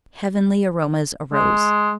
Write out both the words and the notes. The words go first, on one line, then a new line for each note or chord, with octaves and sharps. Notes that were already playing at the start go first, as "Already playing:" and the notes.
Heavenly aromas arose.
G#3